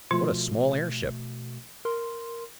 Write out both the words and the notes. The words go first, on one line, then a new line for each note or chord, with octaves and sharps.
"What a small airship."
B2 F3 A3 F4
A#4 C6